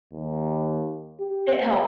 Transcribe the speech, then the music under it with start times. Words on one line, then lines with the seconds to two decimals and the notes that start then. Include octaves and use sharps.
it helps.
0.13 D#2
1.20 G4